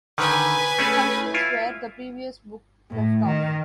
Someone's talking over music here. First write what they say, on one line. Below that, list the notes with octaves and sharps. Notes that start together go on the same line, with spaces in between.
It continues where the previous book left off.
D3 D#3 B4 G#5
A3 C#4 G#4
E4 F4
A2
D#3